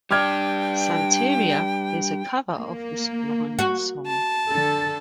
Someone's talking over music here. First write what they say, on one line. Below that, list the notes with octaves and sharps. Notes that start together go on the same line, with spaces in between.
"Santeria" is a cover of the Sublime song.
G3 D4 G5 D6 F6 G#6
A#3
F#4
A5
D3 A4